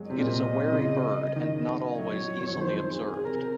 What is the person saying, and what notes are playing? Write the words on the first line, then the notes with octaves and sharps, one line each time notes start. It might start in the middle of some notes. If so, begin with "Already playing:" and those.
It is a wary bird and not always easily observed.
Already playing: F#3 G#3
C3 D#5
A#2
C3
C#3
D#3
F#3 C#5
F#3
F#3
F3
D#3
F3 C5
G#4
C3 A#4